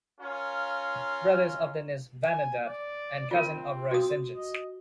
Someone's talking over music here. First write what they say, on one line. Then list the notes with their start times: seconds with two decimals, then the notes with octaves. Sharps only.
Brother of Dennis Vanendert and cousin of Roy Sentjens.
0.20 C#4 F4 A#4 F5
2.24 G#5
2.66 D5
3.31 C4 F4 A#4
3.91 F#4 D#6
4.34 D#5